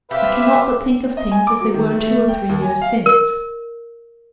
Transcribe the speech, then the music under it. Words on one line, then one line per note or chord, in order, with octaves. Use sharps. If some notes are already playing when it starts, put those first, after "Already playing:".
I cannot but think of things as they were two or three years since.
C4 G4 B4 E5 F5
C4
D#5
G#5
D6
F#3
D#3
A3
A3
G5
D#2
G#5
F5
A#4